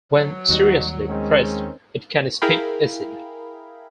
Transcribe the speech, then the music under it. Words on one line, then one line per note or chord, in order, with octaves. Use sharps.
When seriously pressed, it can spit acid.
F#3
D#2 D#3 G3 D#4 F#4
D#3 G#3 C4 C#4
E4 G#4 A#4 F5 G5 B5